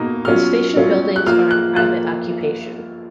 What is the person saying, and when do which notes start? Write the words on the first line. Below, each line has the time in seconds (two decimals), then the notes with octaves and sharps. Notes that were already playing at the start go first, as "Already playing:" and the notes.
The station buildings are in private occupation.
Already playing: B2 A#3 D#4
0.25 B2 F#3 C#4 F4 F6
0.76 B2 F#3 C#4 F4
1.16 F#6
1.26 F3 A#3 F4 F6
1.51 F#6
1.76 F3 A#3 F4 F#6